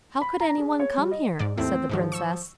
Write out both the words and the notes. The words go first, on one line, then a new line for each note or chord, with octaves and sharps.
"How could any one come here?" said the Princess.
B5
A#5
G#4
C#5
G3
D#5
G#2 D5
D#2 A3 C4 E4
G#2 D#3 F3 F#3
C#6 E6